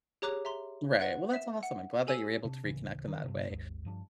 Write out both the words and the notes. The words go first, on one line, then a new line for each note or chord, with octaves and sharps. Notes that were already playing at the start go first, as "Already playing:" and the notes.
Right. Well, that's awesome. I'm glad that you're able to reconnect in that way.
G4 G#4 C#5 A#5 D6 F#6
E5 A#5 C6
B4 F#5 F#6 D7
E5 E7
F#5
G4 A4 G#5 E6 D#7
C3 D4
D1 A1 C#3 E3
D#3
G2 C3
G#1 D#2 G#2
G2 F3 D4